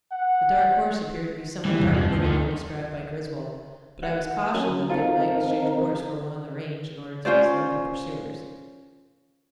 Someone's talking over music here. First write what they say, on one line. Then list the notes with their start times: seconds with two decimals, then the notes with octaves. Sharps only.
The dark horse appeared to be somewhat darker than the one described by Griswold, but I was cautioned that they might exchange a horse for one on the range in order to mislead their pursuers.
0.12 F#5
1.65 E3 G3
1.79 E2 G2 C3
1.94 F3
2.10 D2
2.24 D#4 A4
4.03 F#5
4.54 F#3 C#4 A#4 G#5
4.90 C4 D#4 F4 A4 A#4
7.25 C#4 F4 C5 D5